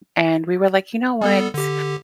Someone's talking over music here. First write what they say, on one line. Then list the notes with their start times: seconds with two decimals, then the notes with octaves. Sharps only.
and we were like, "You know what?
1.21 G3 B3 A4
1.54 D3 G4